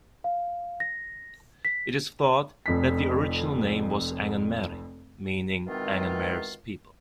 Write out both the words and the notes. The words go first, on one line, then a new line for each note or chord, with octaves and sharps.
It is thought that the original name was "Angenmaering" meaning Angenmaer's people.
F5
A#6
B6
F1 F2 B6
B2 D#3 E3 G#3 C4 F4